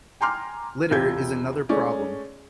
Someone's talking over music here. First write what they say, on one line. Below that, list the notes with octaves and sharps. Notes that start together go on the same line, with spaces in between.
Litter is another problem.
G5 G#5 A#5 C6 D6 F6
E1 C3 F4 G4 G6 G#6
G#3 A3 C#4 D5